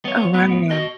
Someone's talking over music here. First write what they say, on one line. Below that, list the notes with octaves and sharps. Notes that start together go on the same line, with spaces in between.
Oh, wow.
B3 C#5
A2 B3
F#4 D#5